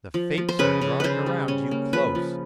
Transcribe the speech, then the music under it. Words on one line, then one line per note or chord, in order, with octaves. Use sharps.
The fates are drawing around you close.
F3
F3
C5
C#3 B4
C#3
C#3 B4 C5
G3
C#4
A#3
F3 B4
F3